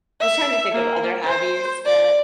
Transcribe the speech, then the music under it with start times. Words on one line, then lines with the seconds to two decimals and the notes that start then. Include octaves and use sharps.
I was trying to think of other hobbies that
0.20 E5
0.72 A#3
1.25 C5
1.85 D5